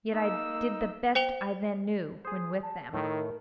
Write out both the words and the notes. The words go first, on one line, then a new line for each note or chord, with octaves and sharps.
Yet I did the best I then knew, when with them.
A#3 D#4 E6
C5 G5 F7 G7
G#4 C5 D#6
A5
A2 D#3 A3 A#4